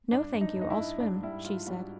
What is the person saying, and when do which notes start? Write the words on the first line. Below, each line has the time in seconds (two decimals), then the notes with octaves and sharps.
"No, thank you; I'll swim!" she said.
0.11 G2 D4
0.33 G2
0.41 D#4
0.55 G2
0.61 D#4
0.70 E4
0.78 G2
1.00 G#2 D4
1.23 G3 E4
1.44 G#2 F4
1.67 G3 F#4